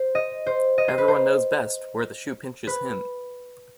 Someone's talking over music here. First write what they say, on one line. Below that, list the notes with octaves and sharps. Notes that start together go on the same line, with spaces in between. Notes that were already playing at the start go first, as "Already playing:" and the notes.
Everyone knows best where the shoe pinches him.
Already playing: C5
D#5
C5
D#5
C5
B4
C5
B4